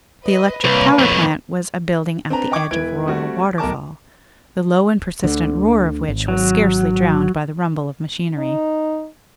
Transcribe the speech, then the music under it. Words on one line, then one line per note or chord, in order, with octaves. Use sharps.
The electric power plant was a building at the edge of Royal Waterfall, the low and persistent roar of which was scarcely drowned by the rumble of machinery.
B4 D#5
C2 A#3 B4 C#5
F2 A2
C4 D4 B4 A#5
D#5 G5 C#6 D6 G#6
E1 E3 E4 B4 G#6 D7
G3 A3 C4 F#4
D1 B1 A#4 A5 D6
D2 D3
G#1
F#3
D#4